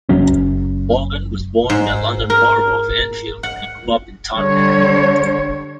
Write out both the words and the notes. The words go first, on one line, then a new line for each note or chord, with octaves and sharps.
Morgan was born in the London Borough of Enfield and grew up in Tottenham.
F#1 F#2 F#3 C#4
G#2
A#4
F#5
D3 G3 C#5